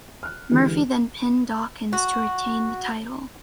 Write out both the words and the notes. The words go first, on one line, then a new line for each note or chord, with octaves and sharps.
Murphy then pinned Dawkins to retain the title.
F6 F#6
D3 E3 G#3 G4
F#4